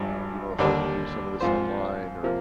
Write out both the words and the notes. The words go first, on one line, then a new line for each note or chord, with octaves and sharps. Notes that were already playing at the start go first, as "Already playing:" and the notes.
you know, if I could do some of this online or
Already playing: G#1 G2 F3
D#2 D3 G3 D4
G#2 F3 C4 F4 C5
C3 F3 A#3